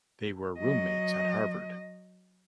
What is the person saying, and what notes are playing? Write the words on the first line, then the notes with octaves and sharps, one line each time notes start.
They were roommates at Harvard.
F#3 D#5